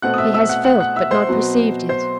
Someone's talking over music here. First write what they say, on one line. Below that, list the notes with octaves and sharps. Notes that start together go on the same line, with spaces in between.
He has felt but not perceived it.
B2 A3 C4 F#5 F#6
D#6
E5 E6
E5 E6
F#5 F#6
F#5 F#6
F#5 F#6
E5 E6
C5 C6
B2 F#3 C4
C5 C6